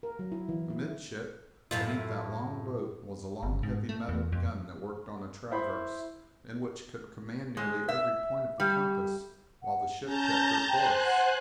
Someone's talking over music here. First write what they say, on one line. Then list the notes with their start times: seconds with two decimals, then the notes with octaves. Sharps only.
Amidship, beneath that long boat, was a long, heavy metalled gun that worked on a traverse, and which could command nearly every point of the compass, while the ship kept her course.
0.03 A#4
0.19 F#3
0.32 E4
0.49 E3
0.70 E4
1.71 F#2 A2 F4
3.43 G1
3.63 G#2
3.89 A3
4.09 E2
4.32 F2
5.51 E4 C5 B5
7.57 G#3
7.89 E5
8.60 G3
9.62 F#5
10.04 C#4 A5 A#5 G6
10.68 C5 G5 G#5 F#6
11.05 F#5